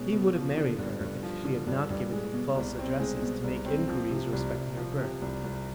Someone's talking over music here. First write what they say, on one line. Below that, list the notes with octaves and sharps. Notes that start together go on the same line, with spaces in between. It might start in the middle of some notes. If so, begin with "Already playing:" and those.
He would have married her if she had not given him false addresses to make enquiries respecting her birth.
Already playing: B2 G#3 C#4
B2
F3
D3
G2
G2
F3
D3
G2
G2
G#3
B2
C2
C4
G#3
B2
C2
C4
F3
C3
C2
C2
F3
C3
C2
C2